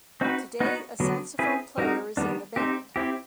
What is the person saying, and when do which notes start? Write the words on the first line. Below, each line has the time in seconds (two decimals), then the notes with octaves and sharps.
Today a saxophone player is in the band.
0.21 C4 D#4 F#4 B4
0.60 B3 D#4 F#4 B4
1.00 D3 F#3 B3
1.39 C4 E4 G#4 B4
1.78 G3 C4 D#4 F#4 A#4
2.17 D#3 G3 B3 D4
2.56 C4 D#4 G4 C5
2.96 C4 E4 G4